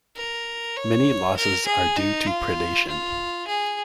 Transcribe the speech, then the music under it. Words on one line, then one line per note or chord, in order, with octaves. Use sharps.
Many losses are due to predation.
A#4
C#5
A#4
G#4
D#4
F4
F4
G#4